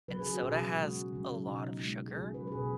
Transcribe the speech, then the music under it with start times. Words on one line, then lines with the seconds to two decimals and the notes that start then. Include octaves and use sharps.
and soda has a lot of sugar.
0.08 C#3 F#3 B4
0.20 G#4
0.30 F#4
0.41 B2 F#3 G#4
0.78 C#3 G#3 F#4
1.13 C#3 F#3
1.47 B2 F#3 D#4
1.82 B2 G#3
2.08 G#4
2.16 C#3 F#4
2.21 F#3
2.34 B4
2.47 B4
2.51 B2 F#3 G#4